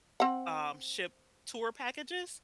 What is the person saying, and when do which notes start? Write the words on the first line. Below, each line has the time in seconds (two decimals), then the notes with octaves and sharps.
um, ship tour packages.
0.20 C4 F#5